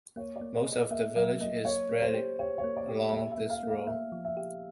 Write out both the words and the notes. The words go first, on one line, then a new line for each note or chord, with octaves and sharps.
Most of the village is spread along this road.
A#3 C#5
D5
A#3
D#5
G#4
D#5
A#3 E5
F#3 E5
A#3 D#5
A#3 C#5
A#3
C5
G4
G4 C#5
C#5
A#3
D5
G4
A#3 E5
E5
A#3
F5
A#3
F5
A#3 E5
F3
E5
G4